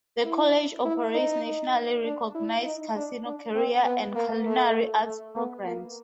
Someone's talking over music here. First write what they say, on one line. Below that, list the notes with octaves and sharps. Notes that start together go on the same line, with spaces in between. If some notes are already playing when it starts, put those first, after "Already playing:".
The college operates nationally recognized casino career and culinary arts programs.
E4
E4
D#4
D4
E4
D#4
D4
D4
C4
B3
A#3
A3
A3
B3
A#3